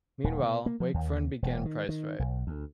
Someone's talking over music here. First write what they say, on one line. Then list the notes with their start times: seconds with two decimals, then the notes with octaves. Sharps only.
Meanwhile, Wakefern began PriceRite.
0.24 D#1
0.43 B2
0.66 A#3
0.80 F3
0.94 D#2
1.42 E1
1.65 D#3
1.89 D#3
2.19 B1
2.47 D2